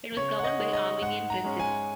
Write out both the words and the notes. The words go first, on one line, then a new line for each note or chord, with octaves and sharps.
It was governed by Armenian princes.
C#3 C#5
F#5
D#5
G#3 D#4
D#5
G#2 F#5
A#5
G#3 C#4
G#5